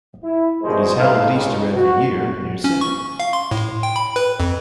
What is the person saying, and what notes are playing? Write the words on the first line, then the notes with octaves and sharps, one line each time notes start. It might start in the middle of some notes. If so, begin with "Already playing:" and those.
It is held at Easter every year, near Sydney.
E4
G#1 F2 B2 G3 G#3 C5
D#4 A4 B4 D#5 F5
C#2
F#4
C#4
C#6
F5
C6
A2
G5
B5
B4
F2